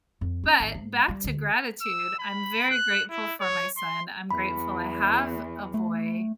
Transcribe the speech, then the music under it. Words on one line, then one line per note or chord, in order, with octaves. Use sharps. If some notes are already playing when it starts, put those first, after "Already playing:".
But back to gratitude, I'm very grateful for my son, I'm grateful I have a boy.
F2
C#4
G#1
G#2
G3
D2
E6
B5
F#6
E4
C#5
C6
E2 B5
A3